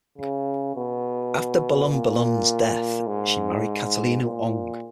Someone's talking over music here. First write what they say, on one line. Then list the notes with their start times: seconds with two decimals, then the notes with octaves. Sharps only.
After Balunbalunan's death, she married Catalino Ong.
0.18 C#3
0.75 B2
1.92 A#2
3.07 G#2
4.23 A#2